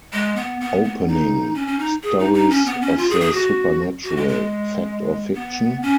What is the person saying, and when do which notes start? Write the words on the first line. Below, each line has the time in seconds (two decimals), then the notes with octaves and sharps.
Opening: Stories of the supernatural: fact or fiction?
0.13 G#3
0.36 B3
0.61 B3
0.84 B3
1.08 D#4
1.55 C#4
1.67 C#4
1.79 D#4
2.03 G#4
2.19 D#4
2.34 D#4
2.50 C#4
2.66 B3
2.81 C#4
2.98 F4
3.10 G#4
3.21 G#4
3.33 F#4
4.04 F#4
4.17 G#3
4.28 G#3
5.34 B3
5.83 C#4